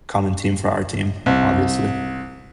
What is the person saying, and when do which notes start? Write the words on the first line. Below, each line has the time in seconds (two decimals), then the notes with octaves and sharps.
common team, for our team, obviously.
1.26 C2